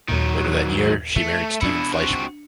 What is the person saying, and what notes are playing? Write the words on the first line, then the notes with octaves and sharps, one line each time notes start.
Later that year, she married Steven Fleischmann.
D#2 A#2 D#3 F#3
A3
B2 D4 E4 C#7
C4 F#4